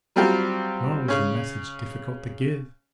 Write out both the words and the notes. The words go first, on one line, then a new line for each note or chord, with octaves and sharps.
Nor was the message difficult to give.
F#3 G3 C4 F4 G4
C#3 C#4